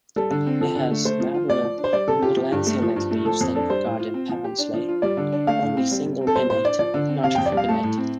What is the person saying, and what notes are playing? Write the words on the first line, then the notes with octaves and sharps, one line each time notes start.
It has narrower, more lanceolate leaves than garden parsley, only single pinnate, not tripinnate.
G3 A4
D3
C4
F3 A4
D3
A3
A3 C5
F3
F4
A3 D5
F3
D4
C5
G3 D5
C3 A4
F4 G4
F3
G2
A3
F3
G2
A3
F3 A4
F2
D4 A4
G3 C5
A2
F4
C4
F3
G4
D4
F3
F4
G3 D5
D3
D4
A3 F5
A2
C4
G3
C3
C4
A4
G3 C5
A2 C5
D4 D5
F3 D5
D3
C4
C3 F5
F2 G5
D5
G3 F5
A3 A5
A2
C4